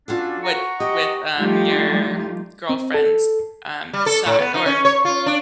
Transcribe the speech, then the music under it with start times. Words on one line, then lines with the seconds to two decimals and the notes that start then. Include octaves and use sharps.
with with, um, your girlfriend's, um, son or
0.08 C#4 D4 F4 F#4 A4
0.43 F#5 A#5 C#6
0.80 G4 D#5
1.36 F3 G3 A3 D#4 F4 G4
2.69 C4
2.94 A4
3.93 G3
4.06 A4
4.26 A2
4.39 B3
4.54 D#4
4.66 C#4
4.85 C#5
5.05 F4
5.26 D4